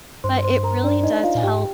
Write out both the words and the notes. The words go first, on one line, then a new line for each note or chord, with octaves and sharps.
But it really does help,
G2 C5 C6
C5 C6
A#4 A#5
D4 D5
D#4 D#5
F4 F5
A#2 G#5
G#2 G4 G5